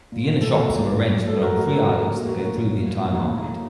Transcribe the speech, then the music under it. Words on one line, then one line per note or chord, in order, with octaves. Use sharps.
The inner shops are arranged along three aisles that go through the entire market.
A#2
A2 A4 C5
F#4 A#4
A#2
A2
A2 A4 C5
F#4 A#4
A2 F#4 A#4
F4 A4
A2 F#4 A#4
A#2 F#4 A#4
F#4 A#4
A2
A#2
A2
D#4 F#4
A#3
A2